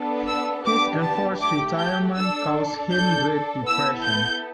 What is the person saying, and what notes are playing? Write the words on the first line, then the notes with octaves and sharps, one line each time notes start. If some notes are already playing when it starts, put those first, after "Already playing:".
His enforced retirement caused him great depression.
Already playing: B3 D4 A4
E6
B3 D4 G4 D6
A5
A3 G4 D6
G6
D4 A4 E6
D4 A4 G6
B3 E4 A4 E6
G6